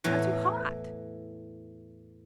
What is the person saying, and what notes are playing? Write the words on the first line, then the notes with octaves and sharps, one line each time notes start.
"I'm too hot."
E2 A2 E3